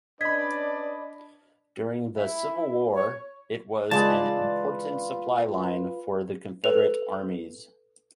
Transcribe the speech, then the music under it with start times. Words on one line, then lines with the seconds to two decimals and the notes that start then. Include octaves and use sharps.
During the Civil War, it was an important supply line for the Confederate armies.
0.21 C#4 D4 B4 D5 D#5 B5 G#6 B6
2.14 E4
2.93 C#5
3.91 C#3 E3 G#3 F4 G#4 B4 D5 A5
6.64 A4 B4 F7